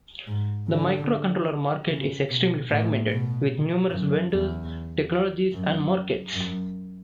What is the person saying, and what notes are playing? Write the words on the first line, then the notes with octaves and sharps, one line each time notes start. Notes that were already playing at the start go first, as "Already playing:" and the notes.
The microcontroller market is extremely fragmented, with numerous vendors, technologies, and markets.
G#2
D3
C#3
B2
A2
B2
F#2
E2
F#2
F#2